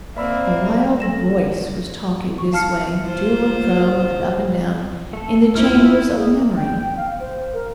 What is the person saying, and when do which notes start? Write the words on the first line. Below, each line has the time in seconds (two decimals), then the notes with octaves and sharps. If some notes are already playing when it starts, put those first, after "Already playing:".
A wild voice was talking this way, to-and-fro, and up and down, in the chambers of memory.
0.17 A#3 C4 D5 E5 B5 E6
1.00 A4 A#6 E7
2.38 C#6
2.53 F5 A5 F6 C7 C#7
3.05 F4 C5
5.13 A3 A4
5.55 D#2 A#3 E4 F4 C5 F6
6.17 G#4
6.32 A#3
6.56 G5
6.97 F5
7.20 C5
7.53 A#4